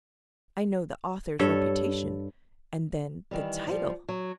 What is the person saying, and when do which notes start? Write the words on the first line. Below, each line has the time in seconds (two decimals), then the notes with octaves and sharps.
"I know the author's reputation; and then, the title!"
1.39 G2 A4 C#5
3.31 D#3 E3 G3
3.67 F3 G3
4.09 F#3